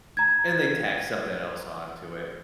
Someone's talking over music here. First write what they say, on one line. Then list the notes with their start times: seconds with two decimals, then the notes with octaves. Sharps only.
and they tack something else onto it.
0.17 A#5 G#6